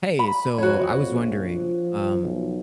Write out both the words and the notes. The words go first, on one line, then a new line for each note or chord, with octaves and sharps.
Hey, so I was wondering, um,
B5
F2 F#4 C#5
A#1
F3
B1